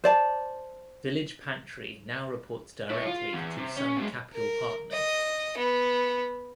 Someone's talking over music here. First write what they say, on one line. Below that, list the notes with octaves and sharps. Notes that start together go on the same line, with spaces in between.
Village Pantry now reports directly to Sun Capital Partners.
C5 D5 A5
E4 C#5
F4
E2
C3
C#4
B2 G#3
A#4
D#5
B3